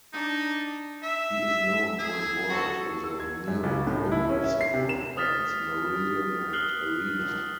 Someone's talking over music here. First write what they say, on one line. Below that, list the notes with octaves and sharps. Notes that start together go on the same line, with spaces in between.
He is known for his work in the neo-progressive rock bands Marillion and Arena.
D4 D#4
E5 E6
G#4
F#4 A4
E6
G#6
F#2
C#2
A2
E4
C#4
E5
C7
C3
E7
D#6 F6 A6 B6
D#6 F6 F#6 C7 F#7 G7